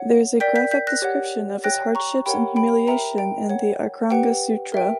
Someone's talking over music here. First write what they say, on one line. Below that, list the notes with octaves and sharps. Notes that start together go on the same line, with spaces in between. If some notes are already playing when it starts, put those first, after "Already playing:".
There is a graphic description of his hardships and humiliation in the "Acharanga Sutra".
Already playing: C#5 F#5
A#4 D5 G5 G6 B6
G6 B6
G6 B6
F#6 A#6
G4 C#5 F#5
C#5 G5 F#6 A#6
A#5 C#6
G4 A#4 C#5 F#5 G5 B5
G5 B5
A#4 E5 G5 A#5
G5
C#5 F#5
G4 B4 F#5 G5
A#4 E5 G5